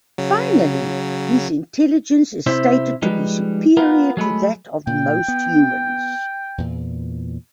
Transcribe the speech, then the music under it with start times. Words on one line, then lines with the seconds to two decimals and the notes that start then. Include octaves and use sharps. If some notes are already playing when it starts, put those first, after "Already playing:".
Finally, his intelligence is stated to be superior to that of most humans.
0.18 C#3 F#3
2.46 C3 E4 C5 E5
3.02 F3 G3 G#3 D#4 B4
3.77 B3 F4 A#4
4.17 F#3 G#3 A3 B5
4.87 A#2 G5
5.28 B3
6.58 E2 A#2